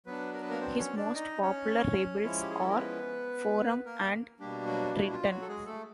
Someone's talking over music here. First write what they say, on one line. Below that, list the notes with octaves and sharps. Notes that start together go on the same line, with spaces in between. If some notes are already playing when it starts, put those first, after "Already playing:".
His most popular labels are "Forum" and "Triton".
F#3 B3 D4 B4
A#4
B4
A#3 A#4
C4 C5
C#4 C#5
D4 D5
D#4 D#5
C#4 C#5
F3 G#3 C#4 E4
G4
G#4
A4
A#4
B3 B4
A#3 A#4
B2 G3 A#3 D4 G4
F#3 F#4
E4
F4
F#3 F#4
A4
G#3 G#4
A3 A4